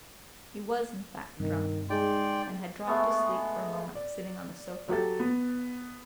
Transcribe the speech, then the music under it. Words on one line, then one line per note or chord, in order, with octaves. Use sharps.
He was, in fact, drunk, and had dropped asleep for a moment, sitting on the sofa.
G2 C3 D#3
G#3 D#4 G#4 D5 G5 C6
G#3 A3 B3
D5
F#3 G4 A4 A6
B3